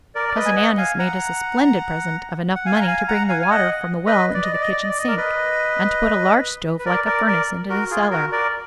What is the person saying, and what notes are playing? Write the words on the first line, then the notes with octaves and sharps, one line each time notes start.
Cousin Ann has made us a splendid present of enough money to bring the water from the well into the kitchen sink and to put a large stove like a furnace into the cellar.
A#4 D5
D5
B4 D#5
G#5
D#5 F#5
F5 G#5
F#5 A#5
F#5
F5 G#5
A#5
F5 G#5
F#5 A#5
F5 G#5
G#5
D#5 F#5
B4 D#5
D5
D#5
D5
D#5
D5
D#5
D5
D#5
A#4 D5
B4 D#5
B4
A#4 D5
A#4 D5
A#4 D5
F#4 A#4
F4 G#4
F#4 A#4
A#4 D5